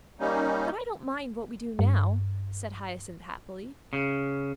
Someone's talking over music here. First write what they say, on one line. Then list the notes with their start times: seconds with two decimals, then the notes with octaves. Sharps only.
"But I don't mind what we do now," said Hyacinth happily.
0.20 G3 A#3 C#4 D#4
1.79 G2
3.93 C#3